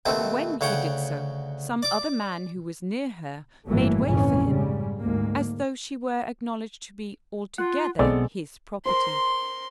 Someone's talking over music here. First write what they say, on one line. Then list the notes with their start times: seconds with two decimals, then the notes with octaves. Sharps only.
But when he did so, some other man who was near her made way for him, as though she were acknowledged to be altogether his property.
0.06 D#2 B2 A3 C4
0.61 D2 C#3 C#5 F#5 G5
1.83 D5 D6
3.68 G1 A2 E3 F#3 A3 A#3
4.07 A#1 F2 G#2 C#3 E3 C#4
4.44 G#2 C#3 G3
5.01 D2 G#2 A#3
7.58 F4 F#5
7.99 B1 G#3 B3 C4 A4 D5
8.86 A#4 C5 C6